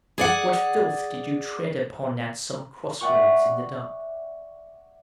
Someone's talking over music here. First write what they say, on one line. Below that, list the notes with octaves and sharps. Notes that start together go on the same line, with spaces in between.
What filth did you tread upon at some crossroads, in the dark?
G#4 D5 F#5
D5 E5 F#5 G5 C#6